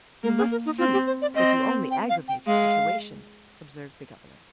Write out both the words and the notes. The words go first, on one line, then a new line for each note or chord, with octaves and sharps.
"You must see that you only aggravate your situation," observed the governor.
A#3 A#4
G#4
A#4
D#4
C4 F4
G4
C5
D5
C4 D#5
G5
F5
G5
G#3 F5